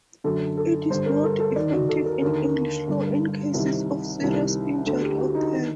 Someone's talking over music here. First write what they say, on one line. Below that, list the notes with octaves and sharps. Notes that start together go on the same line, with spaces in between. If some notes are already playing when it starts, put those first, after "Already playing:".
It is not effective in English law in cases of serious injury or death.
F#2 D3 A4
A4
G2 D3 C5
A#4
A4
A4
D#2 D#3 D5
F#4
A4
A#4
D#2 D3 A#4
G2 D3
C2 C3 D#3
C2 C3 D#3
D2 D3 A4
G4
F#4
D#4
D#3